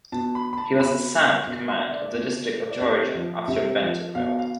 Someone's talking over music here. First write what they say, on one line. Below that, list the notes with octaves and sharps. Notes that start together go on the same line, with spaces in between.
He was assigned command of the District of Georgia after Bentonville.
B2 A5
B5
B5
A5
B2 B5
B2
C6
E5
D5
B2
D5
C3 C5
F3
C3 E5
F3
B2 F5
F5